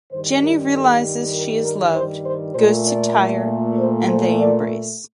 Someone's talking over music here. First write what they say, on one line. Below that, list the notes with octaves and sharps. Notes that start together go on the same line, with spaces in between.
Jenny realizes she is loved, goes to Tye, and they embrace.
G2 D#3 G3 C5
A#4
A4
A#4
A#4
C5
C5
A#2 A3 C5
D5
C5
C5
D5